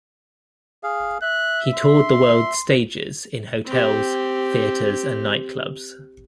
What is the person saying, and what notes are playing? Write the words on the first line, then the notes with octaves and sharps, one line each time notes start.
He toured the world's stages in hotels, theaters and nightclubs.
G#4 F5
E5 F#6
C6
C4 G4